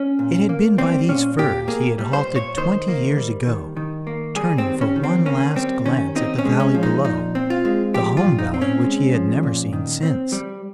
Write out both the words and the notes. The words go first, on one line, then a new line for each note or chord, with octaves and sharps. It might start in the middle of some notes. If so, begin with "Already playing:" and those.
It had been by these firs he had halted twenty years ago, turning for one last glance at the valley below, the home valley which he had never seen since.
Already playing: C#4
A#2
A#3
G3 C4
A#2 C#4
A#2 G4
A#3 G#4
G3
C5
A#2
C#5
D#3 C5
A#3
G3
D#3
D#3
A#3
G3 G#4
C4
D#3
C#4
D#3
C4
A#3 C#4
G3 C4
D#3 C#4
C4 D#4
C#4
G#3
C#4
F3
D#4
A#2 D#4
C4
F4
G#3
F3 G4
F4
A#2
D#4
C4
C#4
G#3
F3
A#2
D#3
C4
G3